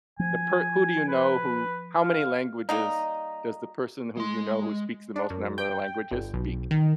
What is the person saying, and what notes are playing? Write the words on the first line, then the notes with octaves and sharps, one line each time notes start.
the per who do you know who how many languages does the person who you know who speaks the most number of languages speak?
F3 G#5
B4
F5
G3 A#3 D#4
G#3 C6
D4
F#2
G5
G1
B1
D#3